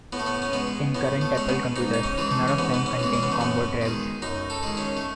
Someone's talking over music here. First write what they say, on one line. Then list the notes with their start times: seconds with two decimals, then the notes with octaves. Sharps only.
In current Apple computers, none of them contain combo drives.
0.13 A2 B3
0.20 A3
0.27 B3
0.42 C#4
0.53 G#3 B3
0.95 A2 B3
1.21 A3
1.35 G#3 C#4
1.49 B3
1.76 G#2 D#4
1.94 D#4
2.03 C#4
2.18 E3 G#3
2.31 A3
2.48 C#4
2.59 G#2 B3
2.74 B3
2.86 C#4
2.99 E3 G#3
3.14 C#4
3.23 B3
3.32 A3
3.40 F#2 B3
3.81 D#3 G#3
4.22 F#2 D#4
4.50 A4
4.63 D#3 G#3
4.77 C#4
4.97 A3